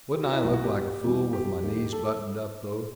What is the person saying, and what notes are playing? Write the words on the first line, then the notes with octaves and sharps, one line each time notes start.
Wouldn't I look like a fool with my knees buttoned up, though!
G4
F#4
E4
B1 A2 F#3 F#4
F#4
G4
E2 C3 E3 G3
G4
D#2 D#3 F#3
A4